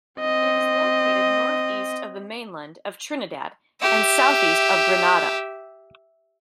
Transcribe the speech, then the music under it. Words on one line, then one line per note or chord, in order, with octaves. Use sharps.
It is located northeast of the mainland of Trinidad and southeast of Grenada.
C4 D#5
G4 E5